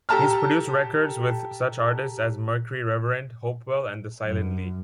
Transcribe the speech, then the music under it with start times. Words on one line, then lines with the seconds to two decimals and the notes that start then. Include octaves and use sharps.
He's produced records with such artists as Mercury Reverend, Hopewell and The Silent League.
0.09 G4 A4 A5 A#5 F6
4.26 F#2